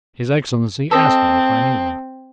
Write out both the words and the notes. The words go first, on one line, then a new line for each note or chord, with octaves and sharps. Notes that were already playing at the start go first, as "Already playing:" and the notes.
His excellency asked me if I knew them.
C4 A4 D#5